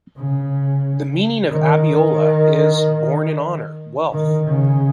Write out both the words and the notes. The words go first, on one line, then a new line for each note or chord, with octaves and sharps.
The meaning of Abiola is "born in honor, wealth".
C#3
D#3
D#3
C#3